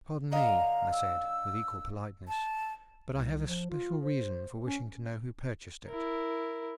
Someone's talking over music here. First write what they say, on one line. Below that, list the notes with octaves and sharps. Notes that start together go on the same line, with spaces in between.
"Pardon me," I said, with equal politeness, "but I have a special reason for wishing to know who purchased it."
D3 D#5 F5 A#5
E6
A5
C2
F3
F4
C5
C#4
E4 A#4